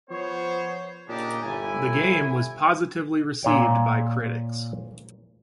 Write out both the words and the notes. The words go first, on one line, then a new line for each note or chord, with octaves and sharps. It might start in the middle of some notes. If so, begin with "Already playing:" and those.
The game was positively received by critics.
F3 B3 C5 C#5
A#2 C#3 D4 D#4 G4
G1 E4 G#5
A#2 C#5 G5